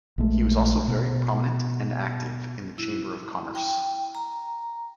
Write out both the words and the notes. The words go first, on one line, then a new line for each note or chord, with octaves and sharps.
He was also very prominent and active in the Chamber of Commerce.
A#1 G#3 A3
B2
E4
G5
A#5